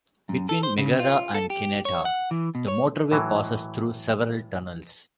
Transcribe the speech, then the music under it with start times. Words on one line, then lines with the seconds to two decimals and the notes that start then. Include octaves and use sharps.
Between Megara and Kineta the motorway passes through several tunnels.
0.29 F#2
0.49 A4
0.63 C5
0.78 C#3
1.00 F4
1.34 A4
1.50 G4
1.85 C#5
2.05 F#5
2.31 E3
2.55 B2
2.68 C#5
3.12 A2 E3 F#3